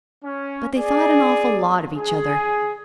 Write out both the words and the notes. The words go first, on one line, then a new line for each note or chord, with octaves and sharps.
But they thought an awful lot of each other.
C#4
G#4 D5
G#4